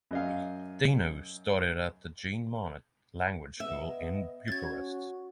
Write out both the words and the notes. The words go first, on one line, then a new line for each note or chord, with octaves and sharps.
Dinu studied at the Jean Monnet language school in Bucharest.
F#2 D#5 F5
B3 D#5 E5
C#4 F#4 G#6 A6